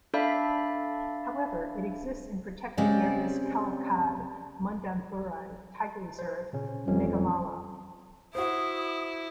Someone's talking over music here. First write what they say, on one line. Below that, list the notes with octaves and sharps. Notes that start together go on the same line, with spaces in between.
However, it exists in protected areas Kalakkad Mundanthurai Tiger Reserve and Meghamalai.
D4 A4 D5 E5 F5 B5
C#3 G#3 C4 G4 D5
C5
A#2 C#3 C#4
F2 E3 G#3 C#4
E4 F#4 C5 D#6